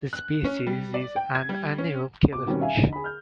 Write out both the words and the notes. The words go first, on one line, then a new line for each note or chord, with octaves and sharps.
The species is an annual killifish.
F#6
C#4
G3
D5
G5
G#6
G3
C#4
B2 D6
B2 D#3 G3 C4 C#4
E5 F5 G#5
D3 D#4
G#4 B5
F6 G6